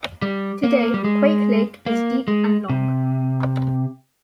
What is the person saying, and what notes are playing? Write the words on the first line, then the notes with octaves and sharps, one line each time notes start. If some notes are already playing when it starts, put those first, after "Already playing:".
Today, Quake Lake is deep and long.
G3
A#3
G3
G#3
A#3
G#3
C3